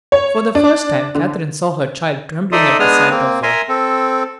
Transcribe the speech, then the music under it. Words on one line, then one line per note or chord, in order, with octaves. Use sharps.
For the first time Catherine saw her child trembling at the sight of her.
C#5
D4
D3
D#4 A4 D5 E5 C6 D#6
G#3 B3 D4 G#4 D#6 F6
A#3 C4
A#4 E5 G#5 A#5 C6
C4 A4